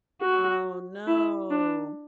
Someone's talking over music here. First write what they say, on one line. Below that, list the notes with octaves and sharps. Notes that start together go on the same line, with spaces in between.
Oh, no.
F#4
E4
D4